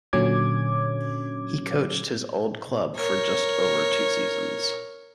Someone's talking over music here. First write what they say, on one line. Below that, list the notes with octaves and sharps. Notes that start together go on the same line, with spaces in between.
He coached his old club for just over two seasons.
A#2 D3 F#3 C#4 D6 G#6
A#4 C#5